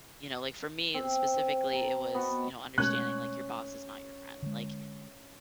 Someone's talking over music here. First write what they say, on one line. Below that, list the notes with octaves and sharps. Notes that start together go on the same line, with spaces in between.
you know, like, for me, specifically, it was, you know, understanding, like, your boss is not your friend, like
C4
G5 A5 A#5
B3 F#4 D#5 A5
B2 G#3 A3 C#4 F#6
D3 G#3